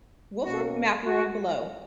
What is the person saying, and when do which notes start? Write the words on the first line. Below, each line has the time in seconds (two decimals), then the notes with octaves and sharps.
Wolfram MathWorld below.
0.44 B2 A#3 C#4 F#4
1.05 F#4